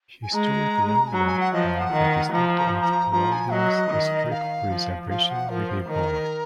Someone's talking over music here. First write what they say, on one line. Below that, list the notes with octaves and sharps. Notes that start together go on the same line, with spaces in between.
Historic Landmark by the District of Columbia's Historic Preservation Review Board.
G#5
G#3 A#5
G#5
F#3 A#5
G#5
F#5
F3 D#5
F5
F#5
D#3
F3 A#5
A#5
A#5
F3 A#5
G#5
F#3 D#5
D#3
F5
F3
F3 F5
F#5
F3 A#4
C5
D#3 A#4